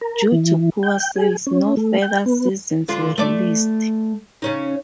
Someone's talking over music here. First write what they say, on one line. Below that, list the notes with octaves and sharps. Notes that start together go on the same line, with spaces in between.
Due to poor sales, no further seasons were released.
A#4
E3
G5
G5
G#4
C#4
A3
G5
B3
D2 D3 F4
A3 D5
C#3 C#4 D#4